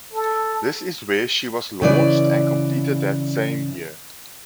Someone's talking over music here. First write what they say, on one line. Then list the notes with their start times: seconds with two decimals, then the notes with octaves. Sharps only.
This is where she was launched and completed that same year.
0.13 A4
1.82 C#3 E3 D5